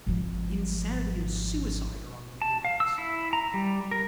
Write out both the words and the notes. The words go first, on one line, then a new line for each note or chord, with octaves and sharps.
Insanity and suicide are on the increase.
G#1 F3
A5
F5
E6
E4
A#5
G3
A#4